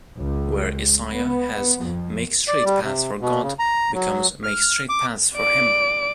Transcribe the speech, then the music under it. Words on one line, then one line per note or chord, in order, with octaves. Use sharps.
Where Isaiah has "make straight paths for God" becomes "make straight paths for him".
C#2
B3
F2
D5
G3
C3
B2
C#3
A#5
F#3
F6
D6
D5 D7